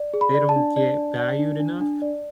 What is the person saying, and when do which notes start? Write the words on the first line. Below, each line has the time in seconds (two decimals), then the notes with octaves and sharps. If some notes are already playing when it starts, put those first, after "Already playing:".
they don't get valued enough
Already playing: D5
0.14 G#4
0.21 B5
0.34 D5
0.49 A5
0.56 D4
0.77 D5
0.97 D4
1.19 D5
1.39 D4
1.60 D4
1.81 D4
2.02 D5